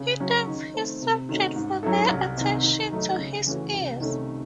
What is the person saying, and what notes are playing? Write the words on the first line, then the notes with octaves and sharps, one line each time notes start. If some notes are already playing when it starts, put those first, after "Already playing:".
He thanks his subjects for their attention to his ease.
Already playing: C#3
F#3 C#4 F#4
D#3
A3 C4
C3
D#3 A3 C#4 F#4
G#2
F#3 C#4 E4 A4
C2
C3 D#3
D#3
F#3 A3 D#4
C#3
E3 A3 C#4 F#4
C2
C3 D#3 A3 C#4